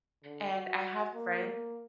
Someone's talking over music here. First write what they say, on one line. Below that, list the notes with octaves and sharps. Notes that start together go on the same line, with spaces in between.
and I have friends
D3
F#4
A#3